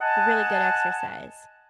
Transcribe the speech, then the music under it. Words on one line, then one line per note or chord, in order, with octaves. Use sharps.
Really good exercise.
D#5 F#5 G#5 A5